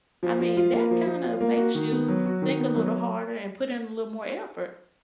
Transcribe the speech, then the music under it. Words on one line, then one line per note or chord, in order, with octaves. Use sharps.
I mean, that kinda makes you think a little harder and put in a little more effort.
F3
F3
F4
A#3
F3
F3
F4
A#3
F#4
D#3
B3
F#3
F#4
D#3
B3
F#3